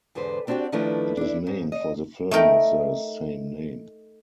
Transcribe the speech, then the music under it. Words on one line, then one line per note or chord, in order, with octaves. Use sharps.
It is named for the film of the same name.
E2 G#2 D3 B4 C5
B3 C4 D4 D#4 F#4 G4
D#3 F3 A3 D4 E4 B4
D4 E4
G#2
D#5
A3 D#4 A#4 G5